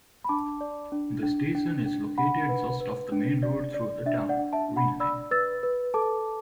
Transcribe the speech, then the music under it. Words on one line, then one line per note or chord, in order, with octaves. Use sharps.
The station is located just off the main road through the town, Green Lane.
B5
D4 A5 D6
D5
D4
D4
D4
D4
D4 F#5 B5
B4
B4
D4
D5
D5
D4 E5
D5 F#5
D4
E5 A5
D4
F#5 B5
D5 B5 E6
B4 E6 A6
B4
A4 A5 D6